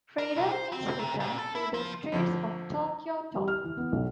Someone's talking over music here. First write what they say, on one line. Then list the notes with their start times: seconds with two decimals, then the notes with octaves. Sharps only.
Freedom is returned to the streets of Tokyo-to.
0.19 A#4
0.35 B1
0.51 C5
0.73 C4
0.99 C3
1.20 A#2
1.39 A4
1.55 E4
1.74 F3
2.12 F2 D3 F3
3.36 G3
3.48 F6
3.65 E3
3.77 B3
3.92 B1